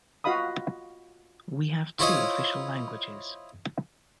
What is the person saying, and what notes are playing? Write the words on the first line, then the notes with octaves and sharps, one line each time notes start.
We have two official languages.
F4 F#4 D#5 F5 B5 D#6
E4 F4 C5 C#5 D#5